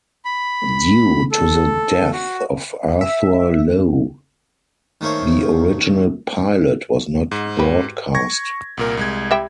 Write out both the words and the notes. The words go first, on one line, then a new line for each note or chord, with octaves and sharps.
Due to the death of Arthur Lowe, the original pilot was not broadcast.
B5
A4
F#4
E5
D#3 A3 A#3 C5 C#5
G#2
F#4 G4 B4
C#6 G#6 A#6
C2 A#2 A#4
C2 G#3 G#6
G3 E5 G5